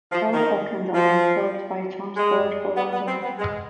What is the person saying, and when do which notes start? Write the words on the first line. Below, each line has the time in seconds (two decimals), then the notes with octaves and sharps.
South Ockendon is served by Transport for London.
0.12 F3
0.33 D#3
0.95 F3
2.17 G#3
2.77 B3
2.93 B3
3.08 C4
3.23 B3
3.39 G#3